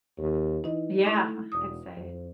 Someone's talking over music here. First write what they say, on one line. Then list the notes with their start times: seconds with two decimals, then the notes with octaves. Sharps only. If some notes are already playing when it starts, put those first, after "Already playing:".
Yeah, I'd say.
0.18 D#2
0.64 E3 D#4 D#5
1.04 A3 E4 D6
1.52 E1 D#6
1.96 F2